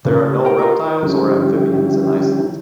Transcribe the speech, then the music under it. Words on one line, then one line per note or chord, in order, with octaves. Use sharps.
There are no reptiles or amphibians in Iceland.
C#3 C#4
G4
A#4 F#5 G5
F4 A#4
D3 F3 G3 C#4 E4 G4